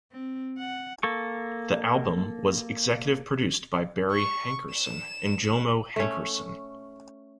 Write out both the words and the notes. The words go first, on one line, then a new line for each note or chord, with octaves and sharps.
The album was executive produced by Barry Hankerson and Jomo Hankerson.
C4
F#5
A#3 A4 C#6
C#6
E7
A3 C#4